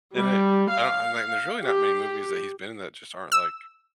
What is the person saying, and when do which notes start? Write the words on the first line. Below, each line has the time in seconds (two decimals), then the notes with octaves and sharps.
and it I don't um, like, there's really not many movies that he's been in that just aren't, like,
0.16 G3
0.70 F5
1.61 G4
3.32 E6